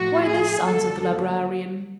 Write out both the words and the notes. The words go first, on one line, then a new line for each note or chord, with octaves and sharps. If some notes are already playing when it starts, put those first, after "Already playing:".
"Why this," answered the librarian.
Already playing: A2 F3 A3 F#4
G#4
F#2 D3 G3 A#3 A4